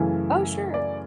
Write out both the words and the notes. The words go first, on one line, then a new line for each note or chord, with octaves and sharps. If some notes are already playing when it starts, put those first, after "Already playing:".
Oh, sure.
Already playing: F#2 C#3 E3 A3 E4
D5